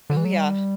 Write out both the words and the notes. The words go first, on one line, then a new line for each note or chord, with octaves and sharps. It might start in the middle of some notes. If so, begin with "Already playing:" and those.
Oh, yeah.
D3
E3
F#3
G3